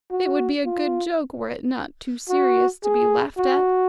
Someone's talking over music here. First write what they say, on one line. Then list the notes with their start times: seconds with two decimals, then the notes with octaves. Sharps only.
It would be a good joke were it not too serious to be laughed at.
0.11 F#4
0.65 F4
2.29 F#4
2.84 G#4
3.38 F#4